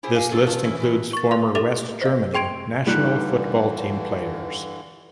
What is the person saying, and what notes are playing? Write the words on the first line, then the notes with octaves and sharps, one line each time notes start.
This list includes former West Germany national football team players.
E4 G4 G#4 C5
G4 D#5 F5 G#5
F#3 D4 F4 G#4 A4
E2 G#3 C#4 F4 A5
E3 C#4 E4
E3 G#3 C#4
C#6 A6
F5 C6
G4 A4 E5 D6 A6 F7
C5 D#5 F5
G#4 G5 C6 G#6 D7
G2 D3 E3 G3 D#4 F#6